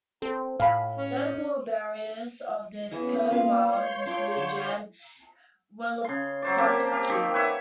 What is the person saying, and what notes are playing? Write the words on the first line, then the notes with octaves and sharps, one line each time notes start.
Notable bearers of this coat of arms include Jan Wielopolski.
C4 A4
A2 F5 G#5 B5
C#4
E3 B3 C#4 G#4 D#5
A#3 F4 B4 F5
C#5 C6 G6
D4 F4 G5
D3 A5
C#3 C6
F#3 C5 D5
A#3 C4 G4 A5
G4 F5
D#3
B4 C#5 E5 F#5